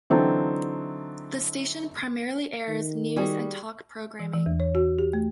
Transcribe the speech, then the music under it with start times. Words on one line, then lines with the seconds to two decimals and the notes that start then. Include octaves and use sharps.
The station primarily airs news and talk programming.
0.10 D3 E3 F#3 C4 D#4 A4
2.69 D#3
3.16 G3 F#4 G#4
4.20 E3
4.34 E3
4.46 E2
4.60 C#5
4.75 F#4
4.99 G4
5.13 A3